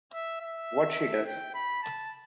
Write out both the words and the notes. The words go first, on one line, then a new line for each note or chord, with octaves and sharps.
What she does !
E5
E5
G5
B5
A5